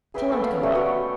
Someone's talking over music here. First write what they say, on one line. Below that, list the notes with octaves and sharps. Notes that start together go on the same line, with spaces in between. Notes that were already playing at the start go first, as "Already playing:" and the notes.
Tell him to come up.
G#4 B4 E5 G5
B3 C#4 A4
F5
G3 A3 C#4
F#4 B4 C#5 G5